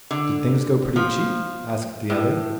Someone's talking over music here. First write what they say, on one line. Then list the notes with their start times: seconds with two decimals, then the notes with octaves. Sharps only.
'Did things go pretty cheap?' asked the other.
0.11 D3
0.96 F3
2.10 A2